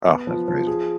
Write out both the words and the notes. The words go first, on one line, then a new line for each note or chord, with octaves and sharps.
Ah, that's crazy.
B3
F3
F3
G#4